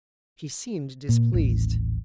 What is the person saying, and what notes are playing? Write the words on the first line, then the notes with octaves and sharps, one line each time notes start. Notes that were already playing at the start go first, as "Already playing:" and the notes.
She seemed displeased.
A#2
D#1 A1